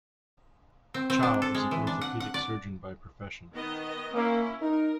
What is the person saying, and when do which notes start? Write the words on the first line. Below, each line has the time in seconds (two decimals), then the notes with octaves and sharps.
Chow is an orthopaedic surgeon by profession.
0.94 C4
1.10 C4
1.23 D4
1.42 A4
1.55 G#3
1.71 E3
1.87 D4
2.01 F#5
2.20 F#5
2.34 D5
3.54 D#3 B3 D#5
4.14 A#3 C#4 E4
4.62 D#4 A#4